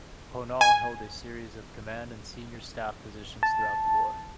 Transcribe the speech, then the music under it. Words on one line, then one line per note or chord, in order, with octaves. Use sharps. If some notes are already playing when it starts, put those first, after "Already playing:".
Pownall held a series of command and senior staff positions throughout the war.
G#5
A5